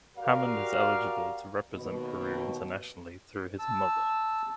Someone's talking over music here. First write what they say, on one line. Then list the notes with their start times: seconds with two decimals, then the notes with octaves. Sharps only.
Hammond is eligible to represent Peru internationally through his mother.
0.17 F#4 G4 A#4 D5 F5
1.71 D#2 B2
3.59 A5 E6